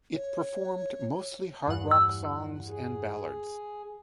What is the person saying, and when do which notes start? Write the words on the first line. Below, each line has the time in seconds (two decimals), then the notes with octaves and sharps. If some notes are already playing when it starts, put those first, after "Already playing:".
It performed mostly hard rock songs and ballads.
0.15 C#5
1.67 E2 G2 F#5
2.68 G#4